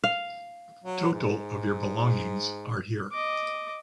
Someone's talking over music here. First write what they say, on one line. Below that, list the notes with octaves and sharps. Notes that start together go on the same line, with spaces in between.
Total of your belongings are here.
F5
F#3
G#2
D#5 D6